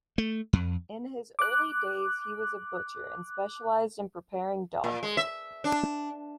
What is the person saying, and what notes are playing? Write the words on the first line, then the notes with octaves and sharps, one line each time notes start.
In his early days, he was a butcher and specialised in preparing dog meat.
A3
F2
D6 F#6
A#2
G#3
E5
D4